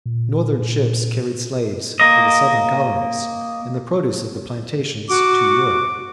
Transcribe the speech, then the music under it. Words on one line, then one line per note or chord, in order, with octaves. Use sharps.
Northern ships carried slaves to the Southern colonies and the produce of the plantations to Europe.
A#2
A#3 D#5
F#4 D6